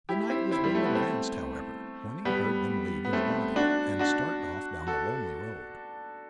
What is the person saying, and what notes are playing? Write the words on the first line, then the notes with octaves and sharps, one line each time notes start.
The night was well advanced, however, when he heard them leave in a body, and start off down the lonely road.
E4 G4
C4 E4
C4 E4
G3
A3
B3
A3 C4
G3 B3
B3
A3 C4
D4 F#4
D4 F#4
F#4 A4